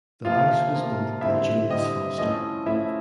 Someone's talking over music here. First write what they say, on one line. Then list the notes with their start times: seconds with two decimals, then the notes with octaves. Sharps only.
The house was built by Julius Foster.
0.25 C3 F3 A#3 F4 F5
0.73 C3 F3 A#3
1.21 D3 G3 C4 E4 E5
1.70 D3 G3 C4 D#5
2.18 A2 F3 A3 C#4 D#5
2.66 A2 F3 A3 C#4 E4 E5